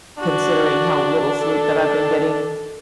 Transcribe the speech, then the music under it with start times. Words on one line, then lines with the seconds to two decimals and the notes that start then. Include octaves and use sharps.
considering how little sleep that I've been getting
0.18 D4 F#4
1.38 A4